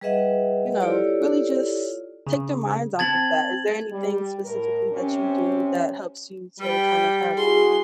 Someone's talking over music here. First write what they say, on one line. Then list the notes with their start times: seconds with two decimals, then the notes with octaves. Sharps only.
you know, really just take their minds off of that. Is there anything specifically that you do that helps you to kind of have
0.01 G3 G#4 B4 D#5 E5 F#5
0.82 E4 F4 G4 A4 C#5 D5
2.27 C#3
2.99 C4 A5 G#6 A6 F#7
3.91 G3
4.45 A2 A#4
4.92 C3 C4 C#4
6.59 G3 B4 G5
7.37 E4 F#4 G#4 C6